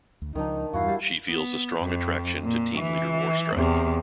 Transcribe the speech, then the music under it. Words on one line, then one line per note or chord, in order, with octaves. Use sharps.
She feels a strong attraction to team leader Warstrike.
D2
C#2 D#3 F3 D4 D#4
E2 G2 E4 F#4 F5
G3
B3
F2
A#2
E3
E2 C3